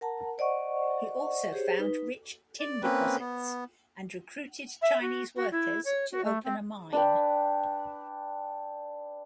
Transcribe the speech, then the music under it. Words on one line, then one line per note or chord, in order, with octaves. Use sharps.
He also found rich tin deposits, and recruited Chinese workers to open a mine.
A#4 F#5 A5 A#5
C5 D5 D#5 F#5 C#6
G4 G#4 C5 C#5
D#4 B4
D5
A#3 C4 C#4 B4
B3
E5
F#4
F#4
E4
C#5
F#4
A3
C4
D4 B4 G5